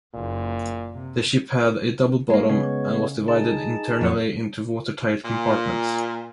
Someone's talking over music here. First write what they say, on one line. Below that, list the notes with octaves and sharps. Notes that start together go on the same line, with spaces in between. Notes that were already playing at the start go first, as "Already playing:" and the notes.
The ship had a double bottom, and was divided internally into watertight compartments.
F#1 A#2
C3
G#3 A#3
C#3 G#3 B3 C#5
D#4 G#4 A5
F2 F#3 C#5
A#2